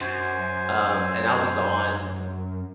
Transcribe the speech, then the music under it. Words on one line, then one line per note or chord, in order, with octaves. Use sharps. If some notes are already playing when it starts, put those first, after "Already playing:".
Um, and I'll be gone
F#2 C5 G#5